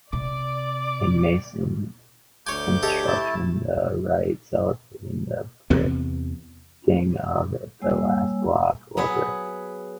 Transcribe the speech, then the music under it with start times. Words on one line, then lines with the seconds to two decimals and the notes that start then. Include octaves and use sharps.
In masonry construction the rite celebrates the bedding of the last block or brick.
0.13 C3 D5 D6
2.47 D2 C#5 G#5 D6 G6
2.83 G4 A4 C#5 D#5
3.07 A3 E4 A5
5.70 E2 C3 B3
7.82 G3 A#3 C#5 G#5 E6
8.97 F#3 B3 G#4 B4